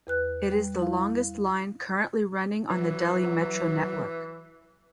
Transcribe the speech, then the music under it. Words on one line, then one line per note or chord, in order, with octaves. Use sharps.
It is the longest line currently running on the Delhi Metro network.
E2 B4 F#6
G3
E4 F5
E3 F#3